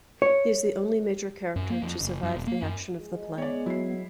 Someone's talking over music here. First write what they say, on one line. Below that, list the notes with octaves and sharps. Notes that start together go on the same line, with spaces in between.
He is the only major character to survive the action of the play.
C#5
F#2
A#3
F2
F#1
F#2
E1
A#3
F#2
G#3
B3 C#5 D5
F#3 E4 C7